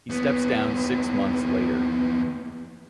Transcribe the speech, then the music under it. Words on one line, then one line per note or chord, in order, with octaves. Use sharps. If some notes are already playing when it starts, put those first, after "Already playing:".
He steps down six months later.
D#2 B3